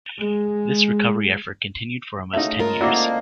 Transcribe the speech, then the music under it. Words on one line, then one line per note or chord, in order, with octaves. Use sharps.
This recovery effort continued for almost ten years.
G#3
C#3 A3 D#4 F#4 E5 F5
G#3 F4 A#4
D3 A#3 C4 D4 E4 F#4 D#5